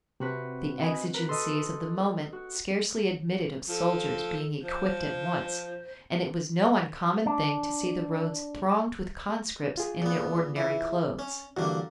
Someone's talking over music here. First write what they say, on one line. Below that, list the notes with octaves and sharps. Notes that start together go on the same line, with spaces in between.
The exigencies of the moment scarcely admitted of soldiers being equipped at once, and it was no uncommon thing to see the roads thronged with conscripts in their ordinary clothes.
C3 C4 F#4 B4
D#5 G#5 B5
A#4 B4
A4 D#5 C6
F#4
F3 A4
F3 C5
D4
F4 G#4
A#2 B3
E3
C#4
G2 D3 E3 A#3 F#4